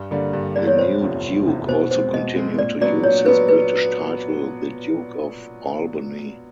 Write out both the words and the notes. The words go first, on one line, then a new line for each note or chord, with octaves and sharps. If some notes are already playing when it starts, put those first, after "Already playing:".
The new Duke also continued to use his British title, the Duke of Albany.
Already playing: G2
D3 G3 A#3 D4
G2
D3 G3 A#3 D4 D5
C#5
F1 C5
E2 C3 F3
F1
E2 C3 F3
B2 C5
G#3 C4 C5
B2 D#5
G#3 C4
A#2 D5
F#3 B3 D4 D5
A#2 C#5
F#3 B3 D4 B4
B4